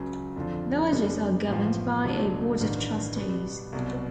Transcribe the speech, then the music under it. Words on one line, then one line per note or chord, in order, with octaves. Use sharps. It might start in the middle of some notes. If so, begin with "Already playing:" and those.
Villages are governed by a board of trustees.
Already playing: C#2 C#3 F#3
F2 D3 F3
F#2 D3 G3 B3 D#4
A1 A2 F3
C#2 B2 F#3 A3 D4
A1 G2 D#3
B2 G3 B3
C2 B2 F#3